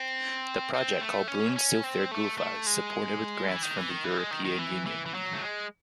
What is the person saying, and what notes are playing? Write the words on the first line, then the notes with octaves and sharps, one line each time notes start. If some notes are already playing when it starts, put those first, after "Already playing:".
The project, called Brunns Silfvergrufva, is supported with grants from the European Union.
Already playing: C4
C4
A3
C#4
C#4
C4
A3
A3
G#3
E3
D#3
E3
D#3
E3
G#3
D#3
D#3
E3
E3
E3
F#3
A3
G#3